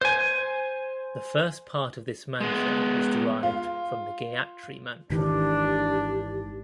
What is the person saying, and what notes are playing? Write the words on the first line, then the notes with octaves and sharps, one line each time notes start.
The first part of this mantra was derived from the Gayatri Mantra.
C5 G#5
G#3 B3
F4
G#1 D#3 E3 D4 G4